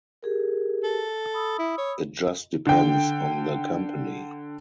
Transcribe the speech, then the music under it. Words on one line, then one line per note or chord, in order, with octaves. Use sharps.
It just depends on the company.
G4 G#4 A#4
A4
B5 D#6 E6
E4
C#5
D3 G5